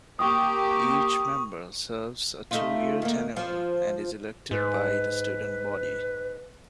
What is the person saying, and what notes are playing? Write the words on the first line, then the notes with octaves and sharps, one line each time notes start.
Each member serves a two-year tenure and is elected by the student body.
A#3 G4 C#6 D#6
A3 D#4 F4
D#3 A#3
F3
G#2 B4